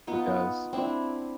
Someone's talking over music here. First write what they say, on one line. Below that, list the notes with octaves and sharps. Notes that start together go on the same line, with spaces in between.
It does.
B3 D#4 F4
C4 D4 E4